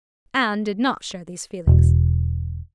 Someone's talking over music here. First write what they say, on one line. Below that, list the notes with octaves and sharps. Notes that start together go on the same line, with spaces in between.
Anne did not share these feelings.
E1